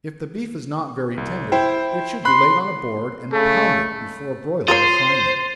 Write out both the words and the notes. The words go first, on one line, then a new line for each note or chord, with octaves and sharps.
If the beef is not very tender, it should be laid on a board and pounded, before broiling or frying it.
C2
E4 C5 G5
B5 C6 F#6
C#3 A3 A4
F4 A#4 C5 C#5 C6 A6 D#7 F7